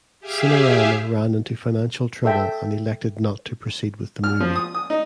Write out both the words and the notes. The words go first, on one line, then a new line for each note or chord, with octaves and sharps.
Cinerama ran into financial trouble and elected not to proceed with the movie.
G4 G#4 E5 F5
A4 E5 G5
F6
F3
D#6
D#6
D#4